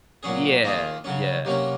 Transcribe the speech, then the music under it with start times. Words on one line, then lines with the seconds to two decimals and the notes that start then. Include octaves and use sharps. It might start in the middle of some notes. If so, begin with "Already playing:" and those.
Yeah. Yeah.
0.23 A#2 F#3 C#4 G#4
0.64 D#3 A#3 F4 G#4
1.04 C#3 F#3 C#4
1.45 C3 F#3 A#3 C#4